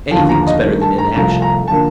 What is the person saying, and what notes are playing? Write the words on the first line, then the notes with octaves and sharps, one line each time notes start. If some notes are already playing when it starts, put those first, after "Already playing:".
Anything was better than inaction.
D#2 D3 F3 A5
A#5
D#5
G2 D#3 A3
A5
A#5
C2 C3 F3 A3 A#5
A#5
D3 F3 A#3 A5